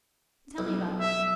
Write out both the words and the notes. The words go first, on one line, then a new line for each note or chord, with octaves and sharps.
"Tell me about them."
B1
E5